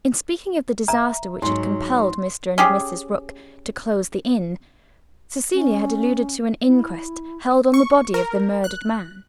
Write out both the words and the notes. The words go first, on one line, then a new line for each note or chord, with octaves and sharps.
In speaking of the disaster which had compelled Mr. and Mrs. Rook to close the inn, Cecilia had alluded to an inquest held on the body of the murdered man.
E5 A#5
G#2 F#3 C6
C#4 G4 G#4
C#4
E4
C#6
A#4
F#6